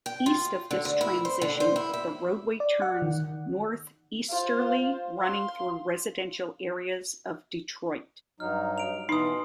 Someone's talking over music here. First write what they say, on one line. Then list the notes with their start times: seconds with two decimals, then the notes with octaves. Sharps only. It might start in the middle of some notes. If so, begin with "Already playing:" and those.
East of this transition, the roadway turns northeasterly running through residential areas of Detroit.
0.06 G5
0.26 F4
0.71 D3
0.85 D2
1.01 E4
1.25 C5
1.42 D3
1.60 C5
1.76 E4
1.94 E5
2.60 D5
2.82 F#5
3.02 D#3
4.30 F4 C5
5.19 F5 C6
8.40 G2 F#3 D#4 F6
8.78 D7 F7
9.09 B2 E3 D#4 C6 D#6